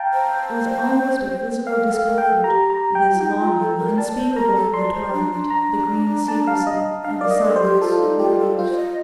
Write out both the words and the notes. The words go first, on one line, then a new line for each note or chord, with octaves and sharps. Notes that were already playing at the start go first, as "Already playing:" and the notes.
It was almost a physical discomfort, this longing unspeakable for the twilight, the green secrecy and the silence of the graves.
Already playing: F5 G5 A5 A#5
C5
A#4 F5
A4
F5
A#4
G5
A4
G4 A#5
A#5
G5
F4
D#4 G5
F4
A4
A#4
D5 A5
D5
C5
A#4 A#5
A4
D5 C6
C5
D4
D4
A#5
A5
F5
D#5
D4 F5
A#4 D5
D#5
A4
C5
G4
F4 A4
D#4
F4 G4
A4
F4 C5
D5
D#5